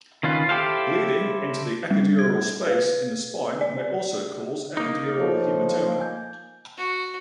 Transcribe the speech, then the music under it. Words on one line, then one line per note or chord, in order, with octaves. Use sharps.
Bleeding into the epidural space in the spine may also cause epidural hematoma.
D#3 C#4 F4 B4
E4 G4 A4 C5 F5
G3
G#6
B4
D5
A#3 D#4 D#6
F3 A4 C#5
G#5 G6
F#4